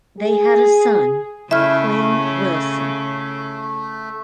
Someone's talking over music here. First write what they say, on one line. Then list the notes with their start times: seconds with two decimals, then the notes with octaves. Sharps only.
They had a son, Quinn Wilson.
0.20 G#4
1.51 C#3 A3 E4 E5 F6